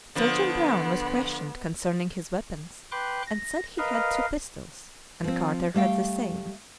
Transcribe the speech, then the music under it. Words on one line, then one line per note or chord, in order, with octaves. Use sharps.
Sergeant Brown was questioned concerning his weapons, and said he had two pistols and Carter had the same.
D3 F3 B3
B4 G5 C6 D6 F#6
A#6
A#4 B4 D#5 F5
F3 C4
G3 A3 F5 G5